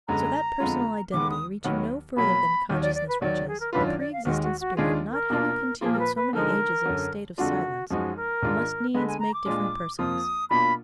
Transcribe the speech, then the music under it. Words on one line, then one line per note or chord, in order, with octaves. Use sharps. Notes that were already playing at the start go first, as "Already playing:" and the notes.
So that personal identity, reaching no further than consciousness reaches, a pre-existent spirit not having continued so many ages in a state of silence, must needs make different persons.
F#2 D3 G#3 B3 A#5
F2 D3 G#3 B3 F4
D#2 D#3 G#3 B3 D6
D#6
D#2 D#3 F#3 B3
B2 F#3 A#3 B5
D#2 D#3 F#3
D5
D5
B4
D#2 D#3 F#3 D5
G#4
A#4
F#2 D#3 F#3 D4 F4 B4
D5
D5
F5
D#2 D#3 G#3 F#4
F#4
F#4
D#2 D#3 G#3 D4 F4 G#4
A#4
B2 A#3 D4 F4
A#2 F3 A#3 F4 G#4
A#4
B4
B4
D3 F3 G#3 D#4 A#4
F#2 D3 F#3
F2 D3 G#3 D4 F4 F#4
F#2 F3 G#3 D#4 F#4
A#4
G#2 D#3 G#3 D4 F4
D3 G#3 B3 B4
G#5
A#5
D6
A#2 G#3 D4 F4
F2 F3 A#3 F4 D#6
B2 A#3 D4 F4 B5